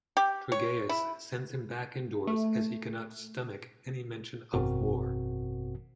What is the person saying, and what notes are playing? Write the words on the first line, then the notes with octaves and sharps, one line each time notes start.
Trygaeus sends him back indoors as he cannot stomach any mention of war.
G4
C#5
E4
A3
G#1 F#2 B2 C4 F#4 A#4